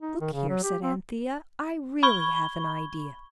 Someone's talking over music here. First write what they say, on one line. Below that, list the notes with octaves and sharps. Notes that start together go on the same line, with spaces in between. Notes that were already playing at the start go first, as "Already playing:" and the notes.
'Look here,' said Anthea; 'I really have an idea.
D#4
D#3
C#3
F#3
G4
C4
B5 C#6 G#6 G7